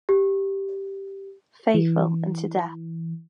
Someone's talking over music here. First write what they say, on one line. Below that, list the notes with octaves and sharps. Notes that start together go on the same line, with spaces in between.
Faithful unto death.
G4
E3